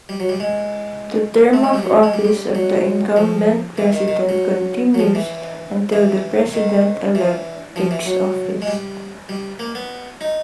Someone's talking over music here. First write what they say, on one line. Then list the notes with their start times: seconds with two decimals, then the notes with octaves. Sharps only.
The term of office of the incumbent president continues until the President-elect takes office.
0.09 G3
0.20 F#3
0.29 G3
0.40 G#3
1.53 A3
1.64 G#3
1.74 G3
1.83 F#3
2.03 G#3
2.14 G3
2.25 G3
2.55 F#3
3.16 F3
3.78 E3
3.93 D#3
4.08 D#3
4.29 F#3
4.94 F#3
4.99 F3
5.15 E3
5.92 E3
6.54 D#3
7.15 E3
7.76 F3
7.91 E3
8.06 F#3
8.62 G#3
8.67 G3
9.29 G3
9.59 A#3
9.75 B3
10.21 D#4